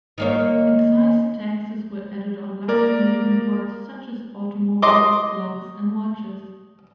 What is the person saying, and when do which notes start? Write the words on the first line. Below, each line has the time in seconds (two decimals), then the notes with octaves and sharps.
Excise taxes were added on luxury imports such as automobiles, clocks and watches.
0.18 D#3 A#3 C#5
2.68 A#3 A#4 D5
4.82 D#5 C6 D6